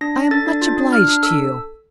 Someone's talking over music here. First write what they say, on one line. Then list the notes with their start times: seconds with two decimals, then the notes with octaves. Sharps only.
I am much obliged to you.
0.01 D4 A#6
0.16 D4
0.31 A4 A6
0.46 D4
0.61 F4 A6
0.77 D4
0.92 D4 F6
1.08 D4
1.23 A4 E6